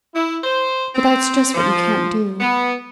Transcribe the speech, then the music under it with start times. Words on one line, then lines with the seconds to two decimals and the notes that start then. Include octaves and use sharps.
But that's just what you can't do.'
0.14 E4
0.43 C5
0.95 C4
1.55 F3
2.40 B3